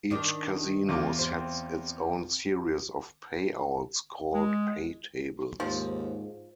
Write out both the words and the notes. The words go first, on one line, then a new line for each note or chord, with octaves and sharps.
Each casino sets its own series of payouts, called "paytables".
D#3 D4
E2 F4 D6
C4
G#3
D#2 G#2 F3